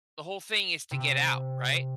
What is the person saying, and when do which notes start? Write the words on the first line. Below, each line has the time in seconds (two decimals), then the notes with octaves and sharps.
the whole thing is to get out, right?
0.91 C3